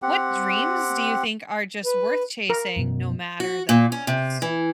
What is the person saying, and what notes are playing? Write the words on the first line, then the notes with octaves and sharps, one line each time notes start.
What dreams do you think are just worth chasing, no matter the cost?
C4 G4 F#5
B4
A#4
F#2 B2
F#4
A#2
C#4
C3
E3